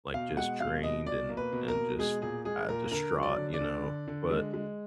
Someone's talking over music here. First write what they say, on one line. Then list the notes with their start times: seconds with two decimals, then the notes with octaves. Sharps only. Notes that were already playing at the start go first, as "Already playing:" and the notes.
like, just drained and and just, ah, distraught, you know? But,
0.14 B2 F5
0.37 G#3 F#5
0.60 B2 F5
0.83 B2 D#5
1.07 B2 D5
1.29 A#3
1.37 B4
1.53 B2
1.68 A#4
1.76 B2
1.99 G#3 G#4
2.22 A#2 G#4
2.45 G#3 G#4
2.68 A#2 A#4
2.91 D3 A#4
3.15 F#3
3.23 D5
3.38 D3
3.54 D5
3.61 D3
3.84 D3
4.08 D3
4.30 G#3
4.54 G#3